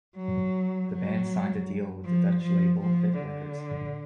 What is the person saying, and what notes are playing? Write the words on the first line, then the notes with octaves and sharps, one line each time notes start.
The band signed a deal with the Dutch label Vic Records.
F#3
F#3
F3
F3
F3
D3